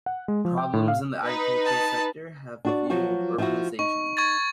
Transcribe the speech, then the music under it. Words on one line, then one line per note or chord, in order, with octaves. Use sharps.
Problems in the agricultural sector have fueled urbanization.
F#5
G#3
F3
G5
A2
F5
D#4 B4
A5
D4 F#4 D5
F3 F#3 F#4
F3 E4 F#4
D#4 C#6
C#6 G#6 A6